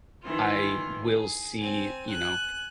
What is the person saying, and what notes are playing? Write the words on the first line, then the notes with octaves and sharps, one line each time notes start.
I will see, you know,
D#3 E3 E4 F4
G#4
C4 G#5
G#5 F#6